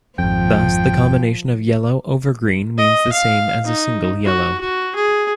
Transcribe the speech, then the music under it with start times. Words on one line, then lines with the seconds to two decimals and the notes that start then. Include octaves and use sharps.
Thus the combination yellow over green means the same as a single yellow.
0.19 G#1 F2 F3 G5
2.78 D#5
3.12 F5
3.65 D#4
4.26 F#4
4.60 F#4
4.95 G#4